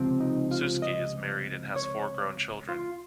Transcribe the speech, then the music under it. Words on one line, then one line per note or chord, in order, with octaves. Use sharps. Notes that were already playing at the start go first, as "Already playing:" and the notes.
Suske is married and has four grown children.
Already playing: C#2 C3 F3 C4
D#4
F4
D#5
C#5
F4